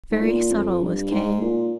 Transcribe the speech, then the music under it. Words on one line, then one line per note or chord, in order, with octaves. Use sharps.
Very subtle was Kay.
G#2
A#2
F2
G2
G#2
A#2